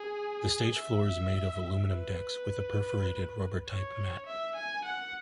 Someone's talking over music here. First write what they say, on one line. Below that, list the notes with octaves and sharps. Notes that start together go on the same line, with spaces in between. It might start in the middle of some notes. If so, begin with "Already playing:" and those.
The stage floor is made of aluminum decks with a perforated, rubber-type mat.
Already playing: G#4
E5
B4
C#5
E5
G#5
F#5